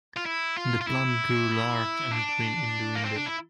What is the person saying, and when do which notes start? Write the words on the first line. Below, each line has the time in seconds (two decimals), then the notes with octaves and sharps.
The plant grew large and green in the window.
0.17 F4
0.26 E4
0.57 F4
0.81 F4
0.87 E4
2.11 D4
2.95 A#3
3.05 C4
3.16 D4
3.26 E4